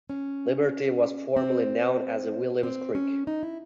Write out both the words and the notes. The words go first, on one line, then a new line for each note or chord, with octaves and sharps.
Liberty was formerly known as Williams Creek.
C#4
C4
C4
C#4
D#4
E4